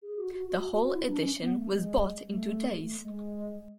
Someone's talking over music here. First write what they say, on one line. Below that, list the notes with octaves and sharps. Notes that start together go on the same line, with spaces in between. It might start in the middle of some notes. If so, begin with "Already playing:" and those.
The whole edition was bought in two days.
G#4
F#4
F#4
F#4
F#4
F#4
F#4
E4
D4
C#4
B3
A3
G#3
G#3
A3
A3
G#3